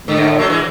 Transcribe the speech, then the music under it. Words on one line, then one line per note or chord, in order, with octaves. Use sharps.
You know,
D3
D3 F#3
E3 G#3